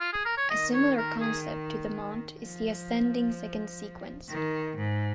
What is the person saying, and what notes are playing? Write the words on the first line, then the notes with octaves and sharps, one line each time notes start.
A similar concept to the Monte is the ascending second sequence.
F4
G#4
A#4
C#5
D#3 D#5
C#5
A#4
G#4
F3
D#3
G#2